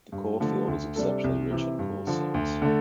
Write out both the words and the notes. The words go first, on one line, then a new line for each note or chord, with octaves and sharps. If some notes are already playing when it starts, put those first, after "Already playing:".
The coalfield is exceptionally rich in coal seams.
G2
D3 F3 A3
D2
C3 G3 D4 A4
C2
C3 E3
G2
D3 F3
D2
D3 A3